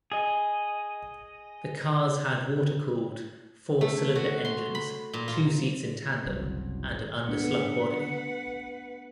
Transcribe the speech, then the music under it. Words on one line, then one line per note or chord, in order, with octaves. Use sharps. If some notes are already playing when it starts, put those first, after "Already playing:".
The cars had water-cooled, four-cylinder engines, two seats in tandem, and an underslung body.
G#4 D#5
A3
F#4
C6
B5
A#2
F4
F#1 C2 F#2
A3 B3 D4 B4 F#5